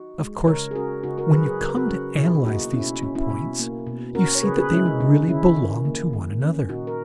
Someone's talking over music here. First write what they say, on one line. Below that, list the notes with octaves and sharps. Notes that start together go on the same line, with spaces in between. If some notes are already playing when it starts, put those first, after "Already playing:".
Of course, when you come to analyze these two points, you see that they really belong to one another.
Already playing: D#4 F#4
G#3
C#3 A#4 C#5
G#4
C#4 F#4 A#4
C#3 D#4 F#4
F#4 A#4
F#3 G#4 B4
G#4 B4
C#3 A#4
B4
F#4 A#4
C#4
B2 E4 G#4
A#3 D#4 F#4
B2 C#4 E4
C#4
C#4 E4
B2
A#3
B2
C#4 F#4 A#4
C#5
C#3 G#4 B4
G#4 B4
G#3 C#4 E4
D#4
C#3 D#4
C#4 E4
D#3
A#3
D#3
C#4
A#2 D#4 F#4
A#4